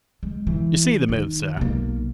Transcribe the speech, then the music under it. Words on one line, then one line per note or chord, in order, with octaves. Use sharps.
You see the move, sir?'
G#3
E3
D#3
B1 A#3